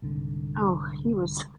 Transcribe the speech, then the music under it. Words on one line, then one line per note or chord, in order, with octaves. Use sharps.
Oh, he was
C2 G#2 D3